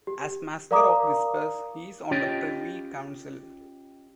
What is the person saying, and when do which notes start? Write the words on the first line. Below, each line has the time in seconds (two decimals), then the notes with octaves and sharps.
As Master of Whisperers he is on the privy council.
0.07 G4
0.71 A#4 D5 F5 A#5 D6 D#6
2.11 C#4 F4 G4 C#5 D#5 G5